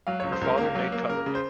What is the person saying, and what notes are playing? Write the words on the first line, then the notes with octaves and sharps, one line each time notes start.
Her father made cutlery.
F#3 F5
C#2 C#5
C5
C#2 A#4
A#3
F#3
A#3
C#3 A#4
C#3
C5